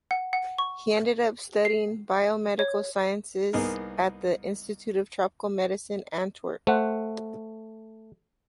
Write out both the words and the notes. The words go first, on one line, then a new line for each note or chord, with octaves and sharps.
He ended up studying biomedical sciences at the Institute of Tropical Medicine Antwerp.
F#5
F#5
C#6
C7
C#5
C2 A#3 B3 D#4 G#4 A#4
A3 C5 F#5